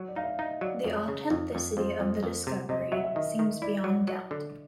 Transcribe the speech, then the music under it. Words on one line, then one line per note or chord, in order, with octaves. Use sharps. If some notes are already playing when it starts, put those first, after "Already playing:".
The authenticity of the discovery seems beyond doubt.
Already playing: F#3
D5
D#4 F5
E5
D#4 D#5
F#3 D5
F2 C#5
C#3
F2
F2
F2 C5
F2
F2
C3
C3 D#5
D#5
F#3 E5
E5
D#3 D#5
D#3
E4 D5
F#3
F#3
D3